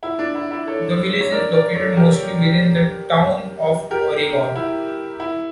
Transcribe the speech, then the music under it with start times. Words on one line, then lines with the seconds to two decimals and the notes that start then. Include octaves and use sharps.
The village is located mostly within the Town of Oregon.
0.03 E4
0.19 D4
0.35 E4
0.51 E4
0.67 A4 C#5
1.20 C#5
1.32 A#4 D5
1.53 A#4 D5
1.75 A4 C#5
1.97 G4 A#4
3.91 G4 A#4
4.55 E4
5.20 E4